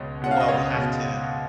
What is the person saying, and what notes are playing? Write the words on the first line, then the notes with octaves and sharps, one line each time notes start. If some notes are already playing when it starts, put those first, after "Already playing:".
Well, we have to
Already playing: C#2 B2 G#3 C#4 C#5
B2 G#3 C#4 F#5
F5
D#5
C#2 C#5
B2 G#3 C#4